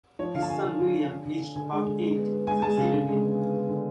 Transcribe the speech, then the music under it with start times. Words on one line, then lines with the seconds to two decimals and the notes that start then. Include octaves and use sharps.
His son William, aged about eight, succeeded him.
0.19 F3 C#5
0.34 D3 F5
0.42 A5
0.50 D3 G#5
0.65 D3
0.80 D3
0.96 F3
1.10 D3
1.25 D3
1.41 D3
1.55 D3 G#5
1.72 G#3
1.87 D3
2.02 G#3
2.17 B3
2.32 B3
2.47 G#3 G#5
2.62 G#3 A5
2.77 C#3 G#5
2.93 D3
3.09 G#3
3.23 B3
3.38 B3
3.54 B3
3.69 D3